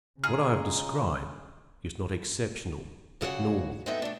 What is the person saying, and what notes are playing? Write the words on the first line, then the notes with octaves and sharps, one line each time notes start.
What I have described is not exceptional but normal.
C#3 D#4 F4 G#4 F6
G2 C#3 F#4 F#5
G#3 B3 C4 D#4 A4 E5
A3 D4